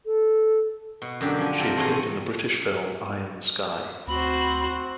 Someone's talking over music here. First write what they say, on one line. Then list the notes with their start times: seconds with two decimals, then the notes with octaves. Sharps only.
She appeared in the British film "Eye in the Sky".
0.06 A4
1.02 B2
1.21 F#2 D3 G4
1.38 F3 G#5
1.59 C3 A4 A#4
1.77 E2 A2 C5 G#5 A#5
4.07 D2 C4 F#4 C5 B5